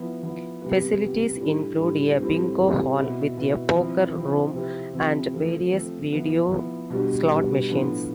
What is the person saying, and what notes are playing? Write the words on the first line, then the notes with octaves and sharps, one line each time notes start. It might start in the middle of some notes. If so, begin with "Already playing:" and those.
Facilities include a Bingo Hall, with a Poker Room and various video slot machines.
Already playing: F3 B3 E4
F3 B3 E4
C3 G3 B3
C3 G3 B3
A2 G3 D4
A2 G3 D4
A2 G3 C4
A2 G3 C4
B2 B3 E4
B2 B3 E4
F3 C4 E4
F3 C4 E4
C3 F3 C4 E4
C3 F3 C4 E4
F3 A3 C4
F3 A3 C4
F3 B3 E4
F3 B3 E4
B2 G3 B3 D4
B2 G3 B3 D4
A2 F3 B3 D4